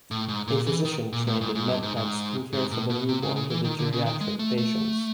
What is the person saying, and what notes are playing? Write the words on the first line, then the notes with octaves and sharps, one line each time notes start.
A physician trained in Med-Peds can care for the newborn to the geriatric patients.
A2
G#2
A#2
E3
D#3
A#2
A2
G#2
G#2
G2
G#2
G#2
G#2
A2
B2
C3
C#3
C#3
E3
D#3
D3
C#3
D#3
G#3
A3
A3